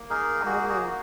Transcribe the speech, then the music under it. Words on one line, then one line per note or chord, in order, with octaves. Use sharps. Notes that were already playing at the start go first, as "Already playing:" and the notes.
I would
Already playing: A#3
D#4 G#4 A#4
A#3 F#4 G#4
F#4 G#4
F#4